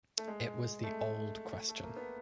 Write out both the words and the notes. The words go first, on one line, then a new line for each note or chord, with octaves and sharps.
It was the old question.
A3
G#3
A3
A3
A#3
B3